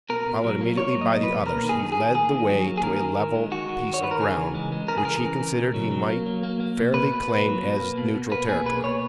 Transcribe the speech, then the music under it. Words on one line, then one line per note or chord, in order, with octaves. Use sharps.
Followed immediately by the others, he led the way to a level piece of ground, which he considered he might fairly claim as neutral territory.
B2 A#4
B2
F#3
A#3
A#3 C#5
F#3
D#5
B2
B4
B2
A#3 A#4
D#3
G#4
D#3
G#4
D#3
A#3 G#4
D#3
F#3
A#3
G#4
D#3 A#4
D#3
D#3
G#3
D#3 F#4
D#3
D#3
C#5
D#3 B4
A#4
C#3 G#4
E3
G#3
G#3
C#3 A#4
G#4
E3 A#4
C#3
C#3
B2
F#3
F#3
A#3
F#3
A#3
A#3
B2
A#3 B4
B2
A#3
F#3
B2
A#3
B2
B2
A#3 B4
B2 G#4
A#3 B4
B2 C#5